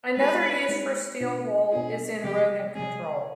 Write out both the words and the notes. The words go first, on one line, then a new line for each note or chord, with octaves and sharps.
Another use for steel wool is in rodent control.
G#3 C4 D#4 G4 B4
G#3 C4 D#4 G4
B2 B3 D4 F4
B2 B3 D4 F4 G#4
C3 F3 G#3 C4 G4
C3 F3 G#3 C4 G#4